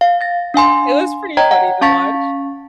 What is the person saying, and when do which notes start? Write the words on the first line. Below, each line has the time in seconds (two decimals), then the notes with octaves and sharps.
Iit was pretty funny to watch.
0.01 F5
0.21 A6 A#6
0.54 D4 F5 G#5 C6
1.37 C#5 D#5 G5 A#5 G#6
1.51 F#5
1.81 C#4 F5 A5 C#6 A6 B6